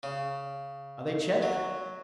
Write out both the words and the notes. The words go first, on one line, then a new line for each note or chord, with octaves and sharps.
"Are they checked?"
C#3
F#3